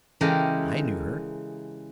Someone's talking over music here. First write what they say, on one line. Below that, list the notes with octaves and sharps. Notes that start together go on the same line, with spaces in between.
I knew her.
C#3 E3 G#3 G4 A4 A#4